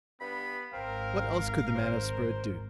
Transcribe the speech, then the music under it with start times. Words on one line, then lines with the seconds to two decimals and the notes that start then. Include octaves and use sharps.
What else could the man of spirit do?
0.21 G2 B3 B5
0.73 G#1 C4 A#4 F5
1.75 C5